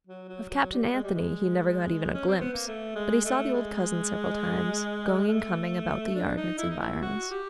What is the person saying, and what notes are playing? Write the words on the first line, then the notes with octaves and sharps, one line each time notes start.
Of Captain Anthony he never got even a glimpse, but he saw the old cousin several times, going and coming about the yard and its environs.
F#3
F#3
F#3
G3
G#3
G3
G#3
C#4
C4
B3
A#3
A3
G#3
A3
G#3
A3
D4
D#4
E4
D#4
E4
F#4
G4